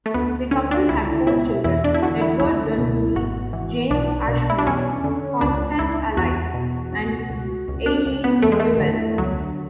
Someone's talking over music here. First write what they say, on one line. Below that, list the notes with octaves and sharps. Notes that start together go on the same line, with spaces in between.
The couple had four children: Edward Dunwoodie, James Ashmore, Constance Alice, and Eileen Buell.
A3
D2 B3
D3 C#4
D4
C#2 E4
B2 E4
E2 E4
D4
E4
D3 F#4
E4
C#2 E4
B2
G#1 F#4
E3
B1 D4
B2
E4
D4
E2 C#4
D3
C#2 D4
C#2 E4
E2 F#4
B2
C#2
C#2
C#2
D4
C#2
B3
E2 A3
G#3
A3
D3
C#2 F#3